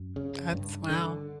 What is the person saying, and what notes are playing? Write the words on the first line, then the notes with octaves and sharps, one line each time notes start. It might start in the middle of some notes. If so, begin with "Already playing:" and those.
That's wow.
Already playing: F#2
C#3
G2
D3